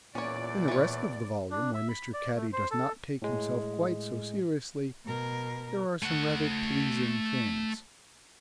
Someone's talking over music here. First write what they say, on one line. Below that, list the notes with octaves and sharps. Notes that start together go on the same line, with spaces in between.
In the rest of the volume, where Mr. Catty does not take himself quite so seriously, there are some rather pleasing things.
E2 A#2 C#4 C#5 D5
E3 C#5
D4
E5
B5
D5
A3
C5
A4
A2 G#3
B2 A#4
A3 F#5